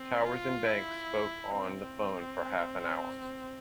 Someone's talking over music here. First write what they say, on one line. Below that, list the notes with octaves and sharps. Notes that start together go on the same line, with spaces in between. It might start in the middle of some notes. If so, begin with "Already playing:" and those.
Towers and Banks spoke on the phone for half an hour.
Already playing: C4
F4
E4
C4